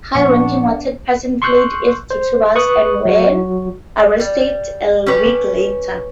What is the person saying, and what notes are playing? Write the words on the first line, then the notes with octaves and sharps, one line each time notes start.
High-ranking wanted persons fled east to Tubas, and were arrested a week later.
A#2 F3 B3 D4 F#5 C#6
C6 C#6 E6 F#6 G6
C5
B4 C#6 D#6 F#6
F#3 F#4
G3
C#4 G4 B4